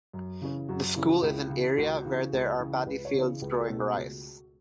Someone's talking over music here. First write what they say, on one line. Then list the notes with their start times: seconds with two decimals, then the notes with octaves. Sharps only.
The school is an area where there are paddy fields growing rice.
0.13 F#2
0.42 C#3 E3 C#4
0.69 F#2 F#4
0.82 F#4
0.96 C#3 E3 C#4 E4
1.10 F#4
1.23 C#2 E4
1.50 C#3 E3
1.77 C#2 F#4
2.05 C#3 E3
2.33 C#2
2.60 C#3 E3
2.86 C#2 B4
3.05 C#5
3.14 C#3 E3
3.42 C#2 B4
3.52 F#4
3.60 A4
3.68 B2 A3 C#4
3.77 F#4
3.96 C#2